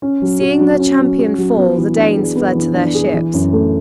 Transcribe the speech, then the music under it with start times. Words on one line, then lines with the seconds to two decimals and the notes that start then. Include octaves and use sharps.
Seeing their champion fall, the Danes fled to their ships.
0.02 C#4
0.22 F#3
0.41 F#4
0.60 F#3
0.79 C#4
1.00 F#3
1.19 F#4
1.38 F#3
1.57 B3
1.78 E3
1.96 D4
2.17 G#4
2.36 B3
2.55 E3
2.75 D4
2.95 G#4
3.14 E3
3.34 F#2
3.53 A3